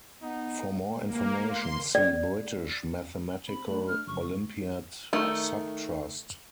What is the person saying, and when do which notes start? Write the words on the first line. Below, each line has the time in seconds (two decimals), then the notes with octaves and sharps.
For more information see British Mathematical Olympiad Subtrust.
0.22 B3 D#4
1.05 A#3
1.50 C6
1.95 D5
3.48 C4 B5
3.67 A3 D4
3.87 F6
4.07 F#2 C#3 F3 C#6
5.13 D#3 A3